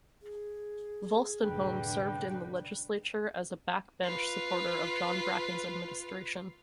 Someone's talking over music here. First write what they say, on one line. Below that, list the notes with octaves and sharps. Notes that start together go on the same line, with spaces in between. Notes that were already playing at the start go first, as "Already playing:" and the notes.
Wolstenholme served in the legislature as a backbench supporter of John Bracken's administration.
G#4
F1 A2 D3 G3 B4 G5
F4 B4